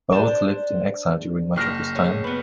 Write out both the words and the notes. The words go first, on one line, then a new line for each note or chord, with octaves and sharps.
Both lived in exile during much of this time.
D4 C5 E7
F#1 F6 A#6
C#4 G#4
B3 B4